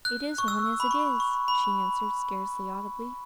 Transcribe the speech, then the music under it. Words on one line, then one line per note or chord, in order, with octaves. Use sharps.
"It is one as it is," she answered, scarcely audibly.
F#6
C#6
E6
B5
C#6
C#6
B5